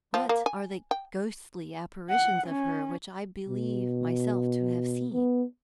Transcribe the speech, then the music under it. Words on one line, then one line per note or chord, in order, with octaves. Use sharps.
What are the ghostly apparitions of her which I believe myself to have seen?
F3
A#3
G#5
G5
F#5
C#4
B2
B3